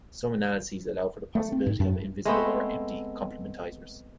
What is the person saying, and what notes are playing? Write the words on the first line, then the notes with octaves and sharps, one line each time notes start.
Some analyses allow for the possibility of invisible or "empty" complementizers.
A3
C4
G#2
F#2
G#3 A3 B3 C4